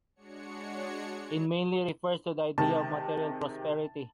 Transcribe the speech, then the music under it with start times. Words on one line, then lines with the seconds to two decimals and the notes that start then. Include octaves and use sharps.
It mainly refers to the idea of material prosperity.
0.16 G#3 D4 F#4 C#5 C#7
2.58 C3 D#3 G#3 A5